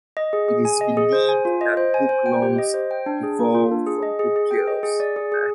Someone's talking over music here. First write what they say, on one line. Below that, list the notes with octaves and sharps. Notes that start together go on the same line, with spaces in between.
It is believed that book lungs evolved from book gills.
D#5
G#4
G#4
G#5
D#5
G#4
C5
G#5
F4
D#5
C5
G#5
C5
G5
G4
D#5
C5
G5
D4
G#4
A#3
F4
D4
G#4
D#5
G#4
G#4
G5
D#5
G#4
D5
G#4
G#4